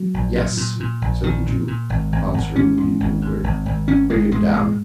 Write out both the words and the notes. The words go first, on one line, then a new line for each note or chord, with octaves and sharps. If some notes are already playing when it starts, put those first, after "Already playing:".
'Yes,' said the Jew, answering the mute inquiry; 'bring him down.
Already playing: F#3
A#1
A#2
A#2
A#2
A#1
A#1 D#3
A#2
A#2
G#1
G#1
G#1
G#2 C#4
G#2
G#1
G#2
G#1
G#1
G#1 C#4
G#1 G#3
G#2 G#3
A#2 G#3